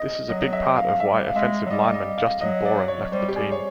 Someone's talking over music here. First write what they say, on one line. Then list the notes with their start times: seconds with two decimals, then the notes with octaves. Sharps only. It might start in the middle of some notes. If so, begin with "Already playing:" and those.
This is a big part of why offensive lineman Justin Boren left the team.
Already playing: D#5
0.29 F#3 D#5
0.41 D#5
0.53 E5
0.76 F5
0.89 F5
1.00 G3 E5
1.27 F5
1.35 G#3 E5
1.66 F#3
1.70 G3 D#5
1.94 D#5
2.18 F5
2.41 F#3 D#5
2.65 D5
2.88 C#5
3.12 G3 C5
3.28 G4
3.35 G3 G#4
3.52 C#5